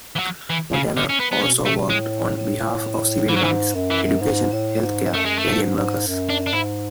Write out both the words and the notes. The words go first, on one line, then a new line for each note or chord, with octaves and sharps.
Montoya also worked on behalf of civil rights, education, health care, alien workers.
E3
F#3
E3
C#3
D3
C#4
B3
B3
B2 C#4
A3
A2 G#3
A2
G#2 E3
F#3
E3
F#2
E3
G#2
A2
G#2
F#2 A3
G#3
A3
G#2
G#2
F#2
D4
D4
G#2 E4